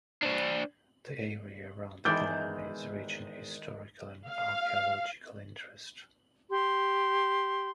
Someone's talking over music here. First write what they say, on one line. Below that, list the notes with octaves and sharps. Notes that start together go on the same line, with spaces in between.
The area around the Glen is rich in historical and archaeological interest.
D4 C5
E2 G#2 D#3 G#3 E4 D5 G6
F5
G4 C6